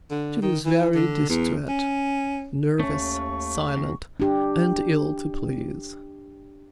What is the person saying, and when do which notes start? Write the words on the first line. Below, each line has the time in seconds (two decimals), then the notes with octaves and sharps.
She was very distraite, nervous, silent, and ill to please.
0.10 D3
0.42 D#3
0.65 E3
0.95 D3
1.29 E2
1.68 C#4
2.80 D#2 A3 C4 C#4 C#6
3.77 E2
4.20 D4 G4